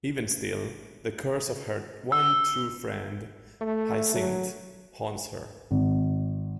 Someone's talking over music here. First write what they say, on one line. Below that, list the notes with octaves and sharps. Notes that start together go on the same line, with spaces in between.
Even still, the curse of her one true friend, Hyacinthe, haunts her.
E6
A3
F#3
G#1